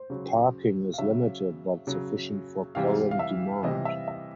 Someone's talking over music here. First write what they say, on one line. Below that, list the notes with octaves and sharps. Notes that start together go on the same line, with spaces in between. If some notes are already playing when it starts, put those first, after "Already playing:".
Parking is limited but sufficient for current demand.
Already playing: C5
C#3 F#3
F5
C#3 F#3 E5
C#3 F#3
C3 E3 G3 F5
F5
E5
C3 E3 G3 D#5
E5
E5